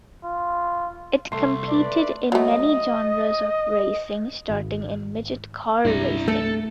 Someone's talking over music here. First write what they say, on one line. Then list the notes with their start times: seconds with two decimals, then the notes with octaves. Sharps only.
It competed in many genres of racing starting in Midget car racing.
0.24 F4
1.32 C2 A3 C6
1.69 B4 D5
2.32 F#3 A3 D#5
4.50 G#1
5.85 C2 G2 E4 A#5
6.28 A3 A4